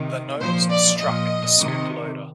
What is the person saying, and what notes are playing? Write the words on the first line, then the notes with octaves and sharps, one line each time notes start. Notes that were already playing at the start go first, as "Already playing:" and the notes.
The nose struck a scoop loader.
Already playing: C3 D#3
A#2 F3 C5
D5
A#2 F3 D#5
C3 D#3